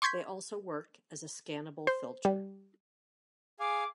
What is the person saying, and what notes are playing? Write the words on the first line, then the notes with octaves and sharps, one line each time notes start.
They also work as a scannable filter.
C6 C#6 G6 G#6 B6
C5
G3
G#4 F5 G#5 D6